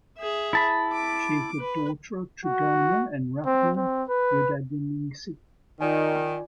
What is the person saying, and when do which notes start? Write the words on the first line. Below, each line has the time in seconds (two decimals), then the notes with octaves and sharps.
She is the daughter of Trenggono and Rachma Widadiningsih.
0.18 G#4 E5
0.53 E4 A5 B5
0.92 D6
1.59 B4
2.45 F#4
3.46 C4
3.77 C4
4.09 B4
5.81 D#3 F4 D5 G#5